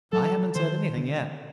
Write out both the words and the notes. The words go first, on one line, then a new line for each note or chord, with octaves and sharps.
"I haven't said anything yet."
F#3 A4
D#3 C5
D3